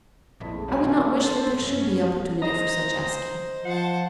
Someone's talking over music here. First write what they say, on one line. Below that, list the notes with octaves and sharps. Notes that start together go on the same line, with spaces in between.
I would not wish that there should be opportunity for such asking.
A#1 F2 E4 B6
G#3 A3
B1 F2 F#3 G#3 G#5
D#3 F4
A4 C5
F#2 C3 B3 C#4
C5 D#5 A#5
F3 C5 F#5 A5